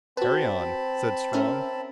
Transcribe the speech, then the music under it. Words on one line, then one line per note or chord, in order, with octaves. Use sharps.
"Carry on," said Strong.
C4 F#4 B4 A5 B5
C#4 A#4 E5